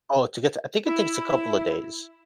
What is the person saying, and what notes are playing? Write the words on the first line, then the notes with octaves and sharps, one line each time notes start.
oh, to get to I think it takes a couple of days,
E4